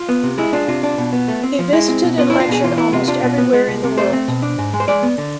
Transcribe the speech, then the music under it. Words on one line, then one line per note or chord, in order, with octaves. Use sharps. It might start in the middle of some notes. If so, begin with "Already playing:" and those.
He visited and lectured almost everywhere in the world.
Already playing: F4
B3
C3
G#3 E4
D4 F4
C3 F4
D4
B2
B3
A3
C4
F3
G#3 E4
C4
B2
B3 F4
D4 E4
F4
B2 G#4
E3 F4
B3 E4
C3 F4
D4 F4
B2
B3
G#3
C2
C3
A3 C5
C4
B2
D4
G#2
G#3
C5
G#3 D5
B3
D3